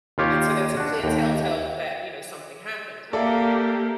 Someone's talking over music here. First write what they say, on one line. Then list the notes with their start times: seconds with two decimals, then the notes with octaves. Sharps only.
and so that's a clear telltale that, you know, something happened.
0.18 D#2 F4 G4 C#5
0.77 D4 F#4
1.04 D#2 G5
3.13 A#3 G4 A4 D5 E5